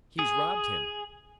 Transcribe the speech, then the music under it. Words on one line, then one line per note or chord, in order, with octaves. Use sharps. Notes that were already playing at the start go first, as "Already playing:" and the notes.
He's robbed him!
G#4